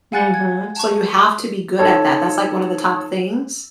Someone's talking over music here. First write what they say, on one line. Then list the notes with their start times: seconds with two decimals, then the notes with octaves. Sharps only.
Mhm. So, you have to be good at that, that's like one of the top things.
0.12 F5 F#5 G#5 F#6 A6 C#7
0.34 G#6
0.76 A5 C#6
1.79 D#4 A4 C#5